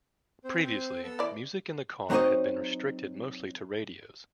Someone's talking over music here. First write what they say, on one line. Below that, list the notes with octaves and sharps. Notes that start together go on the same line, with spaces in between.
Previously, music in the car had been restricted mostly to radios.
C4 C5
B3 A4 E6
E3 E4 D5
F#3 C4 D#4 C5 C#5 D#5